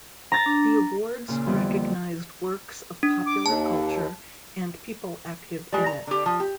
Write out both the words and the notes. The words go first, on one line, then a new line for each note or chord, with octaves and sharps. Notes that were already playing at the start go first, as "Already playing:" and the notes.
The awards recognised works of popular culture and people active in it.
A#5 A6
D4
A#2 C#3
F2 D3 E3 G3 B3
A#3
D4
D6
D#2 A5
G3 G#3
A#5
D3 G4
F3
G4